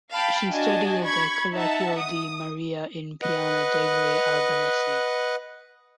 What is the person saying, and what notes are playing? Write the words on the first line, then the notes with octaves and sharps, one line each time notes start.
She studied at the Collegio di Maria in Piana degli Albanesi.
F5 G5 A5 B5
D4 F#4 D#5 G#5 A5
B5 C#6 G#6
D#4 E5 F#5 A5
D#6
B4 D#5 F#5